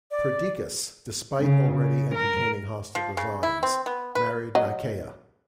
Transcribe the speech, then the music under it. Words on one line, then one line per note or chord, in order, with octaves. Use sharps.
Perdiccas, despite already entertaining hostile designs, married Nicaea.
D5
C#3
C#3
A#4
F3
C#3
E4
C4
B3
B4
F#3 D#5